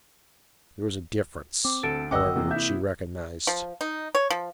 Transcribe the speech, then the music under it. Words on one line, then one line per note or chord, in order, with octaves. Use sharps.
There was a difference, however, which she recognised.
C4 D6
D2 A4 A6 D7
G1 D#2 C#4 D#5 F#5 G5 D6 E6
E2 C3 A#3 C4
E4 E5 G6
F3
D#4
C#5
F3